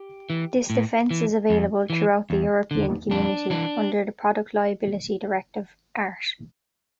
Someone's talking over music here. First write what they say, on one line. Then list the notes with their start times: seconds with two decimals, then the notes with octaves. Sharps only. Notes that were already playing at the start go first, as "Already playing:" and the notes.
This defense is available throughout the European Community under the Product Liability Directive, art.
Already playing: G4
0.30 E3
0.70 A2
1.11 E3
1.50 F2
1.90 E3
2.30 E2
2.71 D3
3.11 F2 D4
3.50 E3 D4